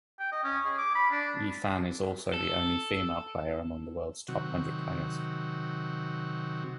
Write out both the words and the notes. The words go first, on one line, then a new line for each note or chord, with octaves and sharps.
Yifan is also the only female player among the world's top hundred players.
G5
D#5
C#4
G#4
D6
B5
D4
A4
C3 D#3 F#3 F#4